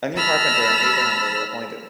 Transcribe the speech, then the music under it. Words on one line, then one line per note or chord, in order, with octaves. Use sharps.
A new carpenter and paper-hanger were appointed.
A5 B5 E6 F6 A#6